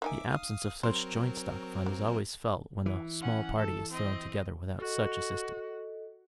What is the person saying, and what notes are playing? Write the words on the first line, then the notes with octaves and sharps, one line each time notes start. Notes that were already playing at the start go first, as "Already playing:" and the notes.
The absence of such joint-stock fund is always felt when a small party is thrown together without such assistance.
A#3 D#4 E5 G#5 D6
F5 D#6
F#3 C4 A#4 C5
A#3
E3
C#4 F#5
A4
C4 D#5
F#4 A4 D#5